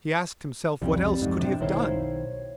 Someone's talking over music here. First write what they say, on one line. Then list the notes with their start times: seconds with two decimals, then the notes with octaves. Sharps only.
He asked himself what else could he have done.
0.82 C2 F2 C#3 G3 C4
1.22 F2 G#2
1.41 C3 C4 D4
1.60 B1 D#3 E4 C5 C#5 F5